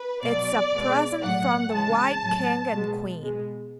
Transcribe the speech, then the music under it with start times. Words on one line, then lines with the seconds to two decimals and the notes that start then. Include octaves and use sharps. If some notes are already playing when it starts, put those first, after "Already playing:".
It's a present from the White King and Queen.
Already playing: B4
0.23 B2 F#3 D5
0.73 B2 G#3
1.23 A2 F#3 F#5
1.73 C#3 E3 G#3 A5
2.23 A2 F#3
2.72 B2 G#3
3.23 B2 G#3